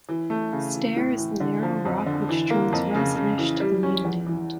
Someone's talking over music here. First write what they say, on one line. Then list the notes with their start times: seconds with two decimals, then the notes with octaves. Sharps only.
Steir is the narrow rock which joins Rosinish to the mainland.
0.09 E3
0.30 A3
0.52 C#3
0.74 E3
0.96 A2
1.18 E3
1.40 D3
1.63 F3
1.85 F2
2.06 D3
2.29 E3
2.50 A#3
2.72 F2
2.95 C#3
3.16 C#3
3.38 E3
3.60 G3
3.83 C#4
4.04 E2
4.27 E3